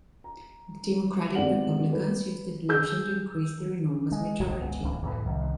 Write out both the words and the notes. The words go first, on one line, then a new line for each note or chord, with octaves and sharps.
The Democratic-Republicans used this election to increase their enormous majority.
A#5
G#1 B3 G4 D5 F#5 F#7
B4
G#4 E6 G6
G#3
A1 D2 B2 D#3
G1 C#2 G#3 B3
D1 C#2 E3
E2 A2 E3
C2 D#3